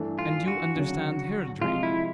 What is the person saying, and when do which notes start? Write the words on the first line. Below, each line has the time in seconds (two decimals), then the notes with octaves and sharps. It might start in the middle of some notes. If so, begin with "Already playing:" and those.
"And you understand heraldry?"
Already playing: G2 E3 A3 D4
0.19 F4
0.48 F#4
0.75 D2 C#3 F#3
1.61 C3 F3 G#3 F4
1.83 E4